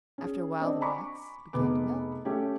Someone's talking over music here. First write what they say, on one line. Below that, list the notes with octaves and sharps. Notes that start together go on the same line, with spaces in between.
After a while the wax began to melt.
C#4 G#4
C4 D4 D5 D#5
G#5 A#5 B5 C#6 D6
F1 B3 G#4 D6
A3 C#4 G4